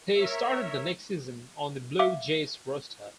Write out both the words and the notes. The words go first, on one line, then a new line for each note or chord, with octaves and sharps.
He started the next season on the Blue Jays' roster.
A#4 C#5 E5
E5 F5 D6